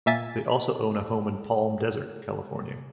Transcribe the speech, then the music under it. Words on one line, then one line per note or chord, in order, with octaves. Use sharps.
They also own a home in Palm Desert, California.
A#2 A#3 E5 G#5 A6 B6